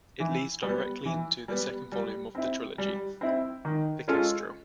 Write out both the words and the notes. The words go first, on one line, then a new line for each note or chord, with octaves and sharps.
It leads directly into the second volume of the trilogy, The Kestrel.
E3
G3 B3
E3
G3 B3
G3
C4 E4
G3
C4 E4
D#3
G#3 C#4 F4 A4